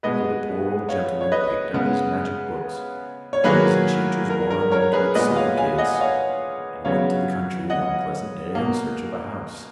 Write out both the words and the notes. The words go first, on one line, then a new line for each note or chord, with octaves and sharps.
So the poor old gentleman packed up his magic books, put his enchanter's wand into its silver case, and went to the country one pleasant day in search of a house.
B2 G#3 B3 B4 D#5
C#5 F5
C#5
B4 D#5
C#3 G#3 B3
C#5
D#3 F#3 A#3 G#4 B4
A#4
A#4
A#4 C#5
G#4 B4
A#2 G#3 B3 B4 D#5
C#5 F5
F5 G#5
D#5 F#5
C#5 F5
C#3 F#3 B3 C#5 F5
D#5 F#5
B2 A#3